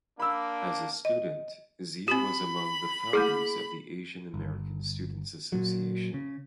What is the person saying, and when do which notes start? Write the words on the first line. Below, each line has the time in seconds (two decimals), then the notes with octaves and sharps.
As a student, Zia was among the founders of the Asian American Students Association.
0.20 A#3 D4 B5 E6
1.05 D#5
2.08 C4 G4 B5
3.13 A3 A#3 E4 G#4
4.34 G1
5.52 A#2 F#3
6.14 C#3